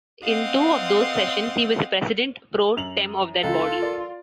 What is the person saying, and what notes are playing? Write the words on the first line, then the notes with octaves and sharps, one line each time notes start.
In two of those sessions he was the president pro tem of that body.
C4 D#5 F5 F#5 C6
F#2 F7 F#7
C#2 F4 A4 F5
A#4 D5